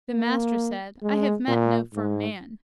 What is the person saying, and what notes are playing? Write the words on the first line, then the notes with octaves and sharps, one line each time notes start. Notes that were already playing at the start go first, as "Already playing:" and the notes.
The Master said, I have met no firm man.
A#3
G#3
A#2
G#2